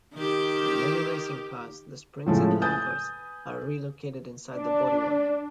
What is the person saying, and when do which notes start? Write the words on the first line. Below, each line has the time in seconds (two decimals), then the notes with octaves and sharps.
In many racing cars, the springs and dampers are relocated inside the bodywork.
0.14 D#3 G4
2.26 A2 C#3 F3 G#3 A3
2.62 B4 G#5 D#6 G6 A6
4.55 D4